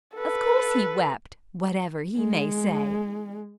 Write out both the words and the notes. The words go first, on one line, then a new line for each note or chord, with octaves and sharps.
Of course he wept--whatever he may say.
A4 B4
G#3